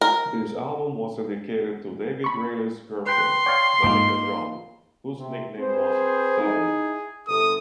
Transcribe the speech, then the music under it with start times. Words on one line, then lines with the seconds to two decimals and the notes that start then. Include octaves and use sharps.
This album was dedicated to David Reilly's girlfriend, Monica Young, whose nickname was Seven.
0.01 A#4
2.24 B5 C#6
3.06 B4 G5 C6 C7
3.46 C#5 D5 F5 G5
3.82 G#2 A#3 D#4 F4 D6
5.16 C3
5.58 C4 G#4 B4 C5
6.39 D#4 E4
7.27 G1 C3 A4 D#6